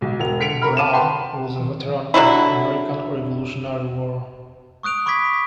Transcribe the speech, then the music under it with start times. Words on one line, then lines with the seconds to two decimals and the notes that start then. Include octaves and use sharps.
Brown was a veteran of the American Revolutionary War.
0.01 B1 G#2
0.19 E1 F7
0.40 D3 B6 C#7 D7 F7
0.62 A#4 A#5 B5 F6
0.77 A5 D6 D#7 E7
0.93 B4 F#5 G5 A5 B5 C6
2.14 D3 F#3 G3 E4
4.83 C#6 D#6 F#6 D7 F7
5.06 B5 C#6 D6 G#6 B6